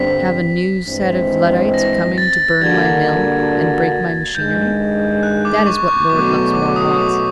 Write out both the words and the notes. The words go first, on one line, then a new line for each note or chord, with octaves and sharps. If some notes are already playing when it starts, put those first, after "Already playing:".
Have a new set of Luddites coming to burn my mill, and break my machinery? That is what Lord Luxmore wants.
Already playing: G2 D3 G3 C4 B6
G2 E3 G#3 C4
A#6
A6
D3 G3 A#3 D4 F#4 G#6
G2 D#3 G#3 G6
F#6
D6
C#6
C#6
E2 B2 F#3 A3 D6
C#6
D6
D#6
D6